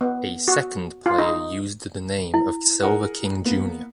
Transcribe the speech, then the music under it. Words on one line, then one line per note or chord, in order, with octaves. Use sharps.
A second player used the name of Silver King Jr.
B3
F#4
F4
D#4
E4
G#4 A#4 F#5
A#3 B3